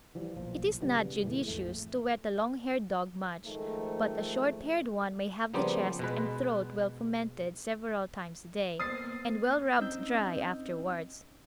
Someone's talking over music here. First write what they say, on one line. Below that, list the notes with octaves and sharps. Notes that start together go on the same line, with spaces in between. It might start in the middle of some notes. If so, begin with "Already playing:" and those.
It is not judicious to wet a long-haired dog much, but a short-haired one may have the chest and throat well fomented several times a day, and well rubbed dry afterwards.
E3 F3 G3
B1 A#2 F3
D#1 C#3 G3 B3
A#2 E3 G#3 A3
A#1 F2 A2 A3
G#2 D#3 F3 A3
C#3 F3 G3 A#3 B3 C5
B2 G#3 B4
A#3 B3 C5 D#6 A6 C7
C4 C#4 D#4 D#5 E6 G6